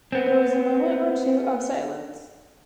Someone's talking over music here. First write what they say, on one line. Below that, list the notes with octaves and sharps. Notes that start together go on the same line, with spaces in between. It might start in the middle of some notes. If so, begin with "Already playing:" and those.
There was a moment or two of silence.
B3 C4